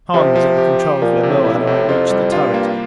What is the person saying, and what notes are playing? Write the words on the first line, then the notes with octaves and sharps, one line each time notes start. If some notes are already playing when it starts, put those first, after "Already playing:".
Hahn was at the controls when Moa and I reached the turret.
C3 F3
F3
G4
G4
A#2 F3
C3
A2
E4
G2
A2
C3
F2 F4
G3
G2 F4
A#3